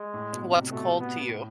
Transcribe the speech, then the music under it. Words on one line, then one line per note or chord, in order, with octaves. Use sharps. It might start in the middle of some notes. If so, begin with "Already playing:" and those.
What's cold to you?
Already playing: G#3
A2
B2
C3
B2 A3
B3
A2